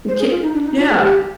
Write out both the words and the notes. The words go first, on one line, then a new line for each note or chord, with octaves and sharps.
We c yeah.
C5
G#4
F4
D#4
D4
D#4
F4
G#4
G4